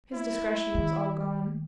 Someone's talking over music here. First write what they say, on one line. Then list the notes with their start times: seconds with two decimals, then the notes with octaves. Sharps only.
His discretion was all gone.
0.14 E4
0.75 D#3